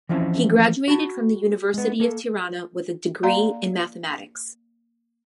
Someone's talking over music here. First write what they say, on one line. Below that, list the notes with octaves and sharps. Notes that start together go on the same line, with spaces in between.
He graduated from the University of Tirana with a degree in Mathematics.
E3 F3 C4 C#4 E4
F#4 A5 B5
G#3 B3
A#3 A4
A#3 D5 F5 A#5 C6